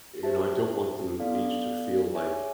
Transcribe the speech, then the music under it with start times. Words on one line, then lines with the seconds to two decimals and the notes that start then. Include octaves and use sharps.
you know, I don't want them each to feel like
0.23 G4 C5 E5 A5
1.20 B3 E4 A4 D5 F5
2.15 G#4 C#5 E5 G#5